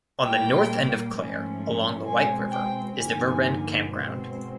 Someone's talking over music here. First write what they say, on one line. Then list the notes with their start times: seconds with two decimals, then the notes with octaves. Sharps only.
On the north end of Clare, along the White River, is The Riverbend Campground.
0.22 A#2 G3 A#3 G5
1.14 G#2 F3 A3 C#4
2.05 B2 G#3 C4 G#5
2.51 G5
2.97 G2 D3 F3 A#3 D#4 G#5
3.88 B2 G#3 C4